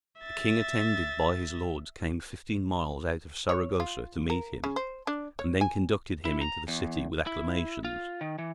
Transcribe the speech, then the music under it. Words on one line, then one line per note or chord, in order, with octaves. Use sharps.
The king, attended by his lords, came fifteen miles out of Saragossa to meet him, and then conducted him into the city with acclamations.
E5 A6
C#5
F4
A#4
C#3
C5
D4
C#5
G#5
E4
A#5
E2
E4
F4
D#3
E3